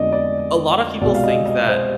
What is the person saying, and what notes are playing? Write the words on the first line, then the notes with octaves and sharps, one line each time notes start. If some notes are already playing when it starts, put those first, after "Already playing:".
a lot of people think that
Already playing: F2 D3 G#3 B3 D5 D#5
D5
C2 B2 G#3 D5
F5
D#5
D#5
C5